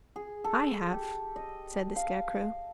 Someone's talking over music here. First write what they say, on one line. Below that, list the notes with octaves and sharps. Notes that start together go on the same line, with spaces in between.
"I have," said the Scarecrow.
G#4
A4
G4
D#5
F5